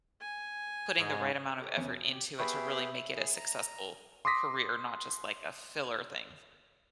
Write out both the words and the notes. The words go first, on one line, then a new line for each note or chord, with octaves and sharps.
putting the right amount of effort into it to really make it a successful career, not just like a filler thing.
G#5
G#2
G4 A4 C5 C#5
E2 C3 B3 C#4
B2
G4
B3 G4 G#4 E5 B5 C#6
G#4
A#5
C6 D6 D#6 A#6 B6